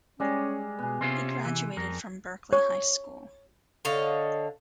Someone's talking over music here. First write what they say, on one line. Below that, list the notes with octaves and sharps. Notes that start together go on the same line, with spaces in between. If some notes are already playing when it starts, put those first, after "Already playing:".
He graduated from Berkeley High School.
G3 G#3 C#4 G#4 D5
B2 B3 G#4
C3 C4 C#4 F4 C6
E3
F2 A#4
C#5
D3 C#5 D#5 F5